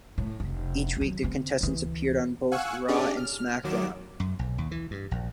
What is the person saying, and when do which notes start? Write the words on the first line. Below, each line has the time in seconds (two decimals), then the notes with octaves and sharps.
Each week, the contestants appeared on both "Raw" and "SmackDown!".
0.18 A2
0.40 F1
0.97 D#3 F#3
1.22 D3 C4
1.61 D2 E3
2.51 F5 F#5 G#5 C#6 E6 F#6
2.88 C#4 D4 G4 G#4 D5
3.17 F6
3.64 D#2 D#3 F#3 D6 E7
4.20 F#2
4.39 B1
4.58 D#2
4.71 E3
4.91 G2
5.11 A#1